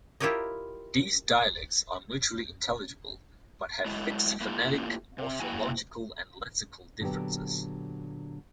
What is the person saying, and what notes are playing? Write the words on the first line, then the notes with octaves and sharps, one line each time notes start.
These dialects are mutually intelligible, but have fixed phonetic, morphological and lexical differences.
E4 F4 G4 A#4 C#5 D#5
F#3 G#3 A3 E4
A3 A#3 E4 F4 G4
C3
A#3 E4 F#4 G5 G#5
A#2 D3 F#3 B3 G4